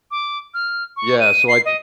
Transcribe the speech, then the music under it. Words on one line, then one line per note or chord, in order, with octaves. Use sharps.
yeah, so, I t
D6
F6
C#6
D#7
C7
D#5